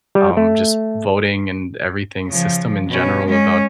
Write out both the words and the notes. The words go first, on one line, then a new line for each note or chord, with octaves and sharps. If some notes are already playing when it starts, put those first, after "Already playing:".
um, just voting and everything system in general about
G3
A3
C#3 F3
B2 C#4
G#3 C#4